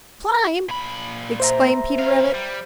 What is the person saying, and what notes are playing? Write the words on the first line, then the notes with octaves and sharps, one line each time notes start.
"Climb!" exclaimed Peter Rabbit.
A#2 B5
C5 E5 A#5
B3 F5
G3